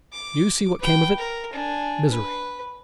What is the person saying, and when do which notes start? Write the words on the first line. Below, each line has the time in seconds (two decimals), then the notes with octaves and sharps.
"You see what came of it--misery."
0.13 D6
0.80 B4 G5
1.18 A#4
1.53 D4 G#5
2.09 B4